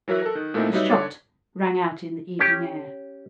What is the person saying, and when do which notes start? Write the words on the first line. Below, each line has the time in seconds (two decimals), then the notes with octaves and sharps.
A shot rang out in the evening air.
0.08 E3 F#3 A#4 E5 F#6
0.22 A4 A#4
0.35 D#3
0.54 A#2 A3 A#3 C4 D#4 E4
0.72 F#3 G3 D#4 B4 C#5 E5
0.90 D3 D4 C#5 D6 A6
2.39 C#4 G4